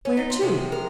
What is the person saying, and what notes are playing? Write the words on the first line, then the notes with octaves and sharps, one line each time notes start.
"Where to?"
C#4
D#4
F4
C3 F3 G#3 F#4
A#4